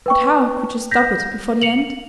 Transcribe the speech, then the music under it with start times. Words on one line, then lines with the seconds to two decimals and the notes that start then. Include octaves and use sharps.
But how could she stop it before the end?
0.06 B4 G5 C#6
0.91 G6 A#6 B6
1.62 C#7 F7 F#7